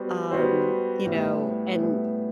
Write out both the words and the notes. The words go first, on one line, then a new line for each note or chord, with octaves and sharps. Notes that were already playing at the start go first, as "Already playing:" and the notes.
Um, you know, and,
Already playing: G3 B3 F#4 C5
G3 B3 F#4 C5
A2 G3 B3
A2 G3 B3